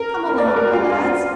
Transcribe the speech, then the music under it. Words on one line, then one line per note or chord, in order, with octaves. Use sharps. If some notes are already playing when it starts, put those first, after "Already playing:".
Come along, my lads.
Already playing: A#4
A#4
D5
B4
A#4
F#4
F4
D4
F4